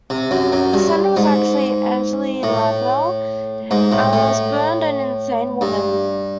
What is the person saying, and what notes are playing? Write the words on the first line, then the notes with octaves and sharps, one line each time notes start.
The sender was actually Angele Laval, a spurned and insane woman.
C3
F#2
F#2
G2
G#2
A2
G#2
A2
A2
G2